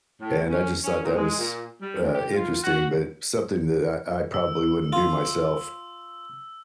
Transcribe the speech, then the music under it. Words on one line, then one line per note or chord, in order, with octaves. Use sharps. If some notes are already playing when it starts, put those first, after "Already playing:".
and I just thought that was, uh, interesting, but something that I I probably wouldn't do myself.
A2
C#4
C#4
A#2
G#3
A#2
G3
D2
G4
F4
F#4
E6
F4